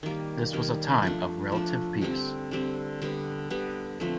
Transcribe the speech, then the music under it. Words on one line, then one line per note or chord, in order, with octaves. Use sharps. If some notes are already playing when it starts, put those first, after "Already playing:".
This was a time of relative peace.
D#3 G3 A#3
D#3 G3 A#3
F3 A3 D4
F3 A3 D4
D3 G3 C4
D3 G3 C4
D3 G3 B3
D3 G3 B3
D3 F3 A3 C4